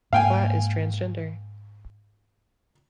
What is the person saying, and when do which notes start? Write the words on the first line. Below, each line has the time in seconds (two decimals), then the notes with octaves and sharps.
Platt is transgender.
0.13 G#2 A#3 F5 G5 G#5